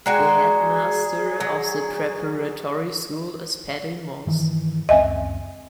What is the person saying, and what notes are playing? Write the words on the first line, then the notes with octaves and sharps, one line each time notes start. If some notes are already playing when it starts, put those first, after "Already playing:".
The Headmaster of the Preparatory School is Paddy Moss.
G#3 F#4 G#4 D5 G5 A#5 C7
F#3
G2 D#3 E3
C#2 F#2 C4 D#5 E5 G#5